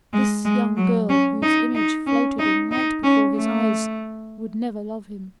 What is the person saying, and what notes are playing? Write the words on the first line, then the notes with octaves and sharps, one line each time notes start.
This young girl whose image floated in light before his eyes, would never love him.
G#3
G#3
F#3
C#4
D#4
D#4
C#4
D#4
D#4
C#4
A3